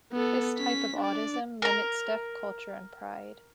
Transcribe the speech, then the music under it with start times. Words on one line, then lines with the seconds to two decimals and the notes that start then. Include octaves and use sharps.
This type of audism limits deaf culture and pride.
0.12 B3 A4
0.57 C#4 B6
0.96 D4 D5
1.62 A#4 A#5